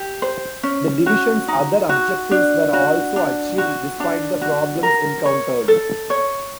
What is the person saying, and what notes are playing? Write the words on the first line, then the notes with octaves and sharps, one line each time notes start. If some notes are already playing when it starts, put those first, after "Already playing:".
The division's other objectives were also achieved despite the problems encountered.
Already playing: G4
C5
C#4
F#4
D#4
F#4
D4
F#4
D4
F#4
D4
F#4
A#4
C#5
A4
C#5